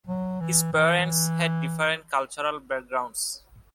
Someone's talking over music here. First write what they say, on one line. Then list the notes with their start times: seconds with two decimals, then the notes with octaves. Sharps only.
His parents had different cultural backgrounds.
0.07 F#3
0.41 E3
0.73 E3